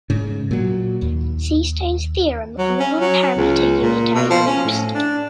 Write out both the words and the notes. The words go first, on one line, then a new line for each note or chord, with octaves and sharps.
See Stone's theorem on one-parameter unitary groups.
G#2 C#3
A#2 F#3
D#2
F#3
C#4
F#3
C#2
A#2
B2
F3
C#4
A2
D4